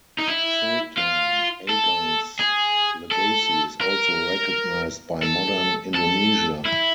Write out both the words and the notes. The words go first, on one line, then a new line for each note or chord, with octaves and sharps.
Sultan Agung's legacy is also recognised by modern Indonesia.
D#4
E4
F4
A4
G#4
A4
A#4
A4
A4
E4